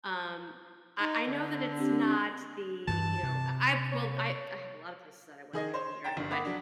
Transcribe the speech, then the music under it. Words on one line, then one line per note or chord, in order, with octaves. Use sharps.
um, I I know that it's not the you know, I I have well, I I have a lot of places that I wanna go in Europe, but
D#4
D3
C4 D4 G4
G2 E3 A5
C3
C#5
C#5
D#3 G#4 D#5 G#6
C5 C#5
G5 A#5 A6 E7
G1 G2
A#3 F#5 B5 D6 D#6 B6
F#3 D4